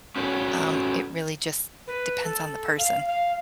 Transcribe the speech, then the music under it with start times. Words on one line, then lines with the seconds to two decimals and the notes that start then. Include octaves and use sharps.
um, it really just depends on the person.
0.16 C#4 F#4 A4 B4 C#5
1.87 B4
2.24 A4
2.78 F5
3.07 F5